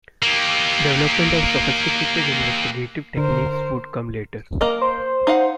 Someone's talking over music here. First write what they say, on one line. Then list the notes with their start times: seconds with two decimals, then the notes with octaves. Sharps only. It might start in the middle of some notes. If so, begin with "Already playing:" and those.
Development of sophisticated investigative techniques would come later.
0.22 A#3 G4
3.17 D3 A#4 C5
4.61 A#3 A#4 D#5
4.81 C5
5.27 D#4 F5 F#5